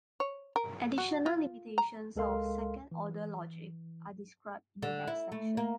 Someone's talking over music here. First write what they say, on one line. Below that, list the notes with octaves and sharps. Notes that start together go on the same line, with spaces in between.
Additional limitations of second order logic are described in the next section.
C#5
A#4
F#4
F4
A#5
C#2 G#3 A4 A#4 F5 C6
E3
D3
E4
A3
A#3